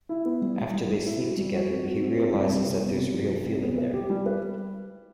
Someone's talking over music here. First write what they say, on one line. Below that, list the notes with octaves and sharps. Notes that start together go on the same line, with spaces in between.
After they sleep together, he realises that there's real feeling there.
E4
B3
G3
G3
G3
G3
E4
F#4
G3
F#4
C4
F#4
C4
C4
G3
C2
C3
B3
C3
F#3
C2
C2
B3
B4
G4
G3
B4